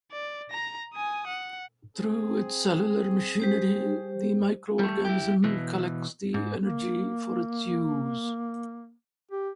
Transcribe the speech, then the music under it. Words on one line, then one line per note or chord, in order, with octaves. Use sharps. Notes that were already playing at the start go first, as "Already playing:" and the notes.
Through its cellular machinery, the microorganism collects the energy for its use.
D5
A#5 A#6
G#5 D#6
F#5
C4 G#4
G3 G4 C5
G3 A3
E4 G4
B2 E3
G#2
A#3
G4